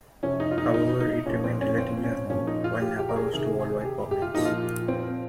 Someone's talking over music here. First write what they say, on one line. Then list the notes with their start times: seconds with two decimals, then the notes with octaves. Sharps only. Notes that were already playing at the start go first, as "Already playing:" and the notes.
However, it remained relatively unknown, while Napa rose to worldwide prominence.
0.23 C3 F3 C#4
0.40 D#4
0.51 F4
0.58 D#4
0.74 D#4
1.00 D#4
1.26 A#2 F3 C#4
1.44 C4
1.61 C#4
1.78 C4
2.04 C#4
2.30 A#2 F3 C#4
2.47 D#4
2.64 F4
2.82 G4
2.99 G4
3.09 A#4
3.16 G#4
3.33 C3 D#3 G#4
3.59 G#4
3.81 G#4
3.85 G4
4.11 G4
4.22 F4
4.35 A#2 F3 D#4
4.45 F4
4.88 C4